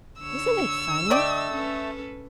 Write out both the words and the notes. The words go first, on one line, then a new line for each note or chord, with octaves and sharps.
Isn't it funny?'
D3 C#5 E6
D3 A3 D5 D#5 G5
C#4 A4 B4